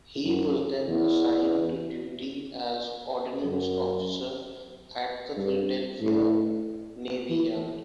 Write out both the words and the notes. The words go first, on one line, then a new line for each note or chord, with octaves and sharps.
He was then assigned to duty as Ordnance Officer at the Philadelphia Navy Yard.
F#2
E2
F#2
G2
A2
E3